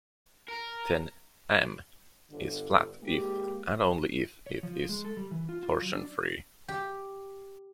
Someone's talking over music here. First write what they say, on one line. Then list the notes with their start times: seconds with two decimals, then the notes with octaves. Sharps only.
Then "M" is flat if and only if it is torsion-free.
0.49 A#4 A#5
2.29 G1 D3
3.02 G#2 G#3 A#3 G4
4.46 C#5
4.63 F3
4.89 G#3
5.05 A4
5.17 G3
5.31 E3
5.49 F4
5.63 F4
5.82 F#3
5.95 D4
6.68 G4